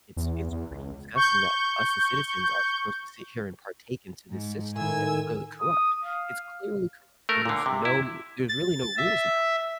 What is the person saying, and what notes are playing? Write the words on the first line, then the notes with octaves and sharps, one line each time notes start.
it's it's pretty disgusting that us as citizens are supposed to sit here and partake into this system that's clearly corrupt. It's clearly corrupt, and there's no there's really no rules now.
E2
E2
C#2
C#6 G6
G#2
A2 D#3 G#5 E6 G#6
D#6
F5
A3 A#4
A#2 D3
C3
E4
A6
E5